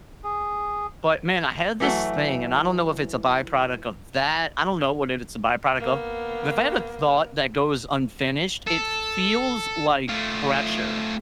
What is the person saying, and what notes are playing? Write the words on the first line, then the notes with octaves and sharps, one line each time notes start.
but man, I had this thing and I don't know if it's a byproduct of that. I don't know what it's a byproduct of, but if I had a thought that goes unfinished, it feels like pressure
G#4
E3 F#3 A3 F#5
A#3 B3
A4
A3 F4